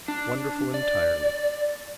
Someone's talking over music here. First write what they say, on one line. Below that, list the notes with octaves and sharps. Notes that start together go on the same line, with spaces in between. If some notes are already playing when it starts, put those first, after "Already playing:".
Wonderful entirely.
D4
D5